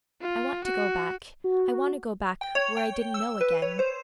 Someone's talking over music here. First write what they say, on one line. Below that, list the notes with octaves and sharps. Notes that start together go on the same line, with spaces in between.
"I want to go back--I want to go back, where I didn't know--again."
F4
F#4
F#4
G5
C#5
G5
E6
B4
C#5
C5